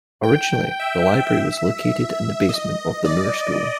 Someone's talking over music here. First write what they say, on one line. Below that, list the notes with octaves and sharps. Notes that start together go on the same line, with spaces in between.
Originally the library was located in the basement of the Moore School.
G5
E5
D#5
D5